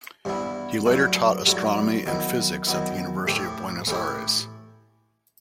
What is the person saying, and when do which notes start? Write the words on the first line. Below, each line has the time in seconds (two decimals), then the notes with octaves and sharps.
He later taught astronomy and physics at the University of Buenos Aires.
0.25 G2 E3 B3 E4
0.86 G2 F#3 A3 E4
1.46 G2 F#3 A3 E4
2.06 D#3 F#3 B3 E4
2.67 D#3 F#3 B3 E4
3.27 A2 E3 A3 E4 G4
3.87 A2 E3 A3 E4 G4